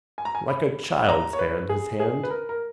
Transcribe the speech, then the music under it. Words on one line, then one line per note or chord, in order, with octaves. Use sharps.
Like a child's hand, his hand.
G#5
A#5
G#5
B5
A#5
C#5
B4
G#4
G#4
B4
A#4
A#4